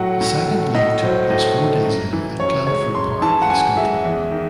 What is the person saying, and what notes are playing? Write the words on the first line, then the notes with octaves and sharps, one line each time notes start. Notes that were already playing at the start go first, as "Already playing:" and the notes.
The second leg took place four days later at Glanford Park in Scunthorpe.
Already playing: A2 F#3 F#5
A2
A3
A2 D#5
F#3 C5
A2
A3
F#2
E3
F#2 C#5
G#3 C#5
F#2 C6
E3 A5
F#5
F#2 G#5
G#3 E5
E2
D#3